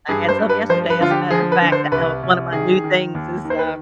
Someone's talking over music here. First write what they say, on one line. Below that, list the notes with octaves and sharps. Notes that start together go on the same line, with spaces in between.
I had some yesterday, as a matter of fact, uh, one of my new things is, uh,
G2 G#4
C5
G2
B4
F3 C5
B4
D3 F4
G4
F3 G#4
B4
D3
C5
C2 B4
C2
D#3 G#4
D#3
D#2
D#3
C5
B4